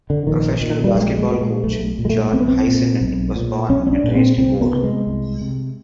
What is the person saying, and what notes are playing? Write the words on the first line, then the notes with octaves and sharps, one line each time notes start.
Professional basketball coach John Whisenant was born and raised in Gore.
D3
A#1 D#3
A#2 D#3
G3
A#1 G#3
G#3
A#2
G#3
B1 A3
A#2
G#3
A3
B1 C4
B3
C4
A#2
B1
A#2
B1 C#4
C#4
D4
A#2
C4
C2 C4
B3
C3
G#3
C2
C3